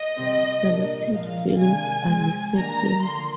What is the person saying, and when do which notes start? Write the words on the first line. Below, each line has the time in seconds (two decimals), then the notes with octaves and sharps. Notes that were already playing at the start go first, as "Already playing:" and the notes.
Selected films are listed here.
Already playing: D#5
0.16 C3 G3 C4
0.64 A#2 G3 D4
1.12 A#2 F3 G#3 F5
1.59 C3 D#3 G#3 D4 G#5
2.06 F3 G#3 C4
2.54 D#3 G3 A#3 D4 A#5
3.02 D3 F3 A#3 C6